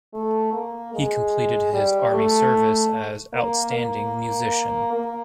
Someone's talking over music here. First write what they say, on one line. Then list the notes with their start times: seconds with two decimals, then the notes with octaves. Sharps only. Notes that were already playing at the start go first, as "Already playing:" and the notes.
He completed his army service as "outstanding musician".
0.13 A3
0.53 A#3
0.94 G#3
1.73 G3
2.14 A3
3.33 A#3
3.73 A#3
4.93 A#3